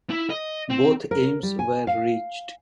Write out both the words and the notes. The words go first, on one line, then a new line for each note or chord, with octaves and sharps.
Both aims were reached.
E4
D#5
C4
A#4
G3
G#5
F5